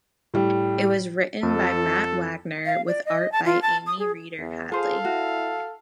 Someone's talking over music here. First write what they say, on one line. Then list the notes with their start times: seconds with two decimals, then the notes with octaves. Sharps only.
It was written by Matt Wagner, with art by Amy Reeder Hadley.
0.34 A2 G3
1.43 F2 A4
2.66 F5
2.87 D5
3.06 D#5
3.32 A5
3.45 F4
3.62 A5
3.87 D#6
3.99 G#4
4.38 E2
4.72 F4 G#4 A4 C5 F5
5.05 E4 F#4